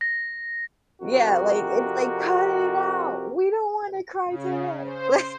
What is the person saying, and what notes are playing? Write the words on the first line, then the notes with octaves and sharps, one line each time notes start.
Yeah, like, it's like, "Cut it out, we don't want to cry today!" Li
A#6
F2 C3 F#4 G4 A#4
C#3
C5